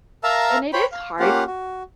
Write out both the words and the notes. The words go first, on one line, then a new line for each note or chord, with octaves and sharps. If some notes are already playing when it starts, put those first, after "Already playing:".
And it is hard
A#4 E5 F5 A5 A#5 E6
C5 C#5 G5 B5
F5
A#3 C#4 F4 G4 F5 F#5
F#4